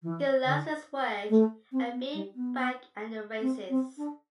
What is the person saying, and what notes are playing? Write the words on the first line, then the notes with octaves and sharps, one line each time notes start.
He loves his work and being back at the races.
E3
D3
A3
C4
B3
G3
B3
C4
C4
D4